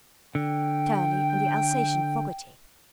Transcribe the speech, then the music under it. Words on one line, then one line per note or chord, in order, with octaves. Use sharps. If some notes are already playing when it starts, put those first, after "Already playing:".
Turley, and the Alsatian Foggerty.
D3 G5